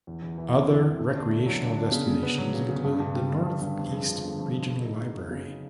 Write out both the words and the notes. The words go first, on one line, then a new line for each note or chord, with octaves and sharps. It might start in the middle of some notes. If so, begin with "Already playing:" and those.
Other recreational destinations include the Northeast Regional Library.
E2
E2
E3
C3
E2
E2
D3
D4
A3
F#3
D3
D4
C#3
C#3
B3
F#3
C#3
C#3
G2
G2
G3
D3
G2
G2
F2
G#3
F3
D3
F2
G#3
C#3
D#4
B3
F#3
C#3
D#4